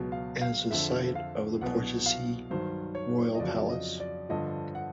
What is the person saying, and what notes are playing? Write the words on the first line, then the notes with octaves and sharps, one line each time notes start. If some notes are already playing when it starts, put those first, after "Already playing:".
It is the site of the Portici Royal Palace.
Already playing: C#2 B2 F#3
F5
F5
F2 D3 F3 E5
F5
C2 B2 F#3 F#5
F5
G2 D#3 F#3 C5
C#5
D#5
F2 C#3 F#3 D5
D#5
D5
G2 D3 F3 D#5
F#5